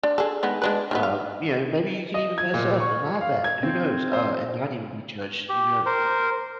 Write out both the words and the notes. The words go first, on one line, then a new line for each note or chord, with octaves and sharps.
um, you know, maybe you can even mess up and laugh at it, who knows, uh, and not even be judged, you know
D4
G#4 A4
D#3 G#3 B3
G#3 D4 B4
D#3 G3 B3
F5
D#5
G#6
A#2
C#6
F5
G#6
C4
C5
G4
A#4 C5